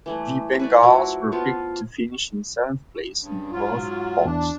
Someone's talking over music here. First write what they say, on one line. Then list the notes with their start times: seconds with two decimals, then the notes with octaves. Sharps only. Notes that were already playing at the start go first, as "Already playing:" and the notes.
The Bengals were picked to finish in seventh place in both polls.
0.06 E3 G3 A3
0.59 B4 C#5 D5
0.83 F3 F#3 E4 F#4
1.32 F3 B3 F4
3.20 G2 C#3
3.51 G#2 F#3 F4
4.25 E2 D4